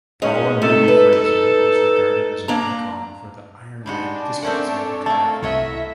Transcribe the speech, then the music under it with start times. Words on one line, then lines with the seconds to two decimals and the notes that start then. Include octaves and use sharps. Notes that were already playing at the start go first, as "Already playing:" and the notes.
Paula Newby-Fraser is regarded as an icon for the Ironman distance in triathlon.
0.22 G#2 G#3 C#4
0.62 C3 D#4 A4
0.88 B4
1.13 B4
2.48 A#3 D4 A#5
3.86 G3 G#3 D4 D#4 F#4
4.42 A3 C4 C#4 A#4 F#5
4.71 A4 C#5
5.06 A3 A#3 A5
5.42 C2 E4 F#4 C#5 D#5 E5